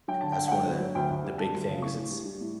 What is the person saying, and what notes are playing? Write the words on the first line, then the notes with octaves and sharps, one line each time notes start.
That's one of the, the big things it's,
F#3 G5
D3 A5
G5
D3
F#5
F#3 G5
D2
F#3
D2 G5
D2
G3
G3 A5
D2
C#3
A2 C#6
A2
G3
G3
A2